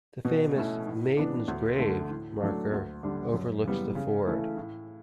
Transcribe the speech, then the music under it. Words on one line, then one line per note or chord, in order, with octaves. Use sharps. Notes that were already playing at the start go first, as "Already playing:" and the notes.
The famous "Maiden's Grave" marker overlooks the ford.
B2
A3 C#4 E4
A2
E3 B3 D4
D2
D3 A3
A2
F#3 A3 D4
D2
D3 G3 D4
F#2
C#3 E3 G3 B3
C#3
E3 A3 C#4 E4
A2